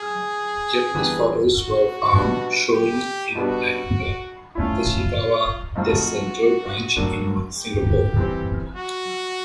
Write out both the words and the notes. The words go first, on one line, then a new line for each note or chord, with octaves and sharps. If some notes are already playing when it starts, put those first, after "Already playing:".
Japanese photos were found showing it at the Tachikawa test center branch in Singapore.
Already playing: G#4
E3 G3 B3 D4 G4
F#4
B2 G3 B3 D4
G4
B2 G3 B3 D4 F#4
A3 C#4 E4 F4
G#2 F3 A3 C4 F4 F#4
A2 F#3 A#3 D4
G4
E3 G3 C4
F#4